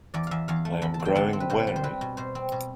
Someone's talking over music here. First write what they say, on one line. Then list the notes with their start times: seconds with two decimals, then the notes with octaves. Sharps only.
I am growing wary.
0.14 E2 D5
0.27 E2 E5 F5
0.48 E2 F5
0.65 A3
0.82 E2 B5
0.94 A5
1.00 C4
1.05 G5
1.15 D3 A5
1.33 C4
1.40 B4
1.50 B2 C5
1.67 G3
1.76 C5
1.84 C4 B4
2.01 B2
2.17 B2 C5
2.35 C4
2.52 B2